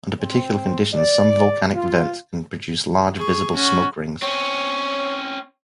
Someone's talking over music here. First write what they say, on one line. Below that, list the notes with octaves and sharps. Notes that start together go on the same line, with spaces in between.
Under particular conditions, some volcanic vents can produce large visible smoke rings.
C4
D5
F4
G#4 C#6
C#4 F#4
C4 C#4 C#5